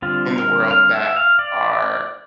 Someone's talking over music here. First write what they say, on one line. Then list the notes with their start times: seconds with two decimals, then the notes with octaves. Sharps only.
in the world that are
0.02 D3 G3 C4 F4
0.36 A#4
0.71 F5
0.94 E5
1.16 F5
1.39 D5